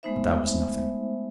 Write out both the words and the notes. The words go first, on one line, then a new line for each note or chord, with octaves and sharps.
But that was nothing.
G#3 A3 B3 D#4 C5 E5